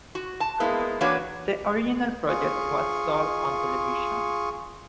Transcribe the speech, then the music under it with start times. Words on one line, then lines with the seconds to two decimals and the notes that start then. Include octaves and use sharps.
The original project was sold on television.
0.15 F#4
0.40 A5
0.60 G#3 A#3 B3 E4
1.01 E3 A#3 D4 F#4 B4 C#5
2.28 F4 G#4 C#6